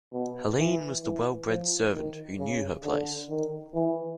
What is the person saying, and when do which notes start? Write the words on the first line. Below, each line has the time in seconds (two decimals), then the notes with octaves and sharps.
Helene was the well-bred servant who knew her place.
0.13 B2
0.58 E3
1.03 E3
1.48 F3
1.93 D#3
2.38 C#3
2.84 D3
3.29 D#3
3.74 E3